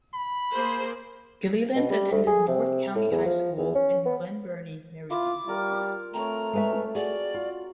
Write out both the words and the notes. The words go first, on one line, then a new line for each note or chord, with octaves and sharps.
Gilleland attended North County High School in Glen Burnie, Maryland.
B5
A#3 G#4 C5
B2
G3
D2
G#4
C3
A2
E2
F3
E2
C#4
B3
E4 F4 D6
G3 F4 A#4
A3 C4 C#5 A#5
G#3 B4 E5
F#4 G#4 D5
F4